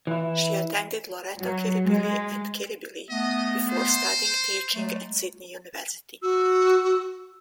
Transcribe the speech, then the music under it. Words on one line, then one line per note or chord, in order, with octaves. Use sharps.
She attended Loreto Kirribilli at Kirribilli, before studying teaching at Sydney University.
E3 E4
F#3
G#3
A3 B3 D#5
C5
F#3 G#3 A3
F#4 E6